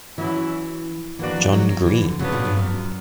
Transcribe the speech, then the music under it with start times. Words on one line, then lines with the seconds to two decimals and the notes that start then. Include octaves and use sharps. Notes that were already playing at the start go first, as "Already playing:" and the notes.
John Greene.
0.17 E3 F#3 C#4 E4
1.19 B2 E3 A#3 D4 F#4
1.36 F#3
1.53 F#3
1.69 F#3
1.86 E3
2.02 D3
2.19 C#3 F#3 B3 D4
2.32 A#2
2.45 G2
2.57 F#2